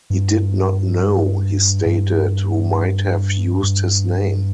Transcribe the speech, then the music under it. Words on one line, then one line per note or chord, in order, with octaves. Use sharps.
He did not know, he stated, who might have used his name.
G2
G2
G2